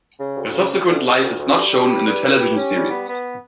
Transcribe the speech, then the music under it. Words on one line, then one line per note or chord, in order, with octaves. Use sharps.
Her subsequent life is not shown in the television series.
C#3
D2
C#3
D2
D2
C#3
D2
D2
G3
G4
B4
G3
B4
G4
C#4
G3
B3
B3